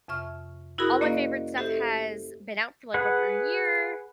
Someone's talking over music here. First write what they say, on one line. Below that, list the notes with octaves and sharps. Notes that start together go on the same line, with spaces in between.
all my favorite stuff has been out for, like, over a year
F2 C3 E5 C#6 F6
E4 F#4 G#4 A#4 B5 D#6
A#3 C#4 C5 D5 D#5 F5
G4 A4 C5 E5
G#4 B4 F#5